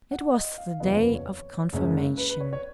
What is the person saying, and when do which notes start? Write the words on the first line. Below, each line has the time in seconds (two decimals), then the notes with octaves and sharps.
It was the day of confirmation.
0.11 F#5
0.34 D#5
0.58 F5
0.80 F1 D#2 C#3 F3 B3 D#5
0.92 C#5
1.03 B4
1.15 C#5
1.73 F#1 F#2 C#3 G#3 C#4
2.17 B4
2.29 B4
2.40 C#5
2.53 C#5